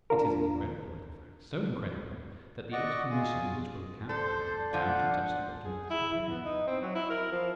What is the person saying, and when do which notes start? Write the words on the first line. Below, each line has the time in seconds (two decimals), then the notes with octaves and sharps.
It is an incredible little fact, so incredible that the explanation which will account for it is bound to touch the bottom of this affair.
0.10 A#3 D4 F4 A#4
2.72 F#4 D5 D#5 F#5 C#6
3.10 F4 G#4 D#6
4.09 A4 C5 D5
4.73 D3 F3 C5 F#5
5.65 G#4
5.90 E4
6.13 E4
6.30 B3
6.45 D#4
6.67 C4
6.82 F#3
6.95 E4
7.10 A#4
7.32 F3